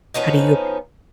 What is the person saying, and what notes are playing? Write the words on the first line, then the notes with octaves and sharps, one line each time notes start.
how do you
F3 B3 C#4 D#4